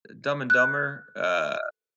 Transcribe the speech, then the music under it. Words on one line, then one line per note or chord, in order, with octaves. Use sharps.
Dumb and Dumber? Uh
F#6